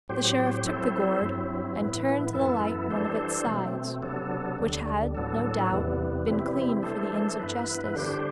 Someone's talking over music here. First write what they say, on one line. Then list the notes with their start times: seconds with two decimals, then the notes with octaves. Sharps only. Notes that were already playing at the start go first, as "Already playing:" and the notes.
The sheriff took the gourd, and turned to the light one of its sides, which had, no doubt, been cleaned for the ends of justice.
0.09 A2 F#3 C4 G4 C5
0.65 F#3 C4 E4 A4 C5
1.21 G2 F#3 C4 E4
1.78 A2 E3 B3 E4
2.33 F#2 E3 B3 E4 A4
2.91 E3 G3 D4 A4 C5
3.46 B2 A3 C4
4.02 C3 F#3 B3 D4 A4
4.59 D2 D3 G3
5.15 A2 F#3 B3 D4 A4
5.71 E2 C3 E3 G3 B3
6.27 C3 E3 G3 C4 E4
6.83 E3 A3 D4 A4 C5
7.39 G2 E3 B3 E4 B4
7.95 D3 G3 D4 G4 C5